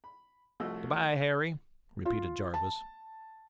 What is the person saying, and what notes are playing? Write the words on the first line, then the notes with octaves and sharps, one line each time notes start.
"Good-bye, Harry," repeated Jarvis.
B5
C2 F3 A3 F#4 D#5 E6
F4
A5